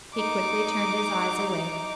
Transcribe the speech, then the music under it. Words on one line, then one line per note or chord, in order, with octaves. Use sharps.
He quickly turned his eyes away.
D#4 D6